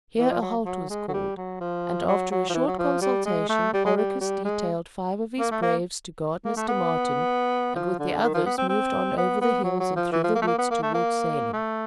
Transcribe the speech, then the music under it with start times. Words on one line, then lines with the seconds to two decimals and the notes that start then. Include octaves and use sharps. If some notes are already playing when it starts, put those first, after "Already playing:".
Here a halt was called, and, after a short consultation, Oracus detailed five of his braves to guard Mr. Martin, and with the others moved on over the hills and through the woods toward Salem.
0.19 E3
0.31 F3
0.42 F#3
0.66 F#3
0.90 G#3
1.08 F#3
1.14 G3
1.37 F#3
1.61 F3
2.08 F#3
2.31 F#3
2.50 F3
2.55 E3
2.67 F#3
2.79 F3
3.02 G3
3.26 G#3
3.49 A3
3.73 G3
3.86 G#3
3.97 G3
4.21 G3
4.45 G#3
5.39 A#3
5.51 A3
5.62 A#3
6.45 A#3
6.57 A3
6.68 B3
7.75 F3
7.99 D3
8.23 D#3
8.34 F3
8.46 B3
8.58 C4
8.69 C4
9.18 B3
9.41 B3
9.64 F#3
9.80 F#3
9.96 F3
10.12 E3
10.24 F3
10.35 A#3
10.42 A3
10.47 A#3
10.59 B3
10.71 A#3
10.83 A3
10.94 A#3
11.53 A3